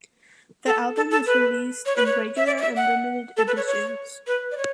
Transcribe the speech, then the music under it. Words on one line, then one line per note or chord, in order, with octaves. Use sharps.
The album was released in regular and limited editions.
A4
A4
A4
B4
C#5
B4
C#5
E5
D5
D5
E5
F#5
A4
B4
C#5
C#5
B4
D5
C#5